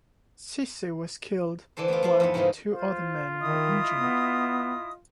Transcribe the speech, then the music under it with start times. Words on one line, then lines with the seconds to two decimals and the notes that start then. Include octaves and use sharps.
Cisse was killed while the two other men were injured.
1.77 D3 E3 D4 A4 C5
1.88 A3 B3 C4 F4
2.03 F3 E4 F4 F5
2.20 F2 G#2 B3
2.34 G#2 C#3 F3 A3 D#4 E4
2.73 F4 C5
3.40 D#3 E4 D#5 D#6
3.96 B3